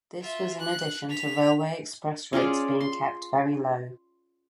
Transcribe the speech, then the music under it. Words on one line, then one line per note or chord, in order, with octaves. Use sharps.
This was in addition to railway express rates being kept very low.
F4 E5
F#6
B6 F7
C#4 F4 G#4 D5
C6